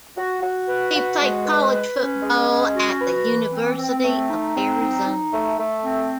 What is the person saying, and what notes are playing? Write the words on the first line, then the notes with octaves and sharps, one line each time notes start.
He played college football at the University of Arizona.
F#4
F#4
B4
F#4
G#3
B4
B4
C#4
G#3
C#4
F#4
B4
E3
C4
C4
A3
D#4
C4
D#4
D#4
A3
A3
C4